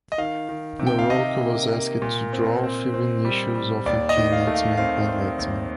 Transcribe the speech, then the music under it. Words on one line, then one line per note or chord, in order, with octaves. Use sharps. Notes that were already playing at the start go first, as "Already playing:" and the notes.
Larroca was asked to draw fill-in issues of "Uncanny X-Men" and "X-Men".
D#5
D#3 F5
D#3
C3
G5
F5
C3 D#5
A#3
A#3
A#2
C4
C4
C4
G3
G3
D#2 D5
D#5
D#3
F5
A3
F5
C4 F5
C4
D#2